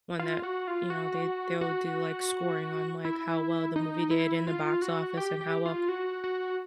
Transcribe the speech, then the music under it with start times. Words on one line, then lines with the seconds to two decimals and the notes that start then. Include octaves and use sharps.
one that you know, they they'll do, like, scoring on, like, how well the movie did in the box office, and how well
0.19 F4
0.43 F#4
0.67 F4
0.90 F#4
1.61 F#4
3.05 E4
3.76 D#4
4.11 E4
4.47 F4
4.82 F#4
5.17 G4
5.41 G4
5.66 F4
5.89 F#4
6.24 F#4